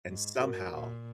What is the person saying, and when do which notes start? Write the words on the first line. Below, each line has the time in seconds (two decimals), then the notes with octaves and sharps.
And somehow
0.08 G#2
0.40 G#2 F#4 A#4
0.73 A#2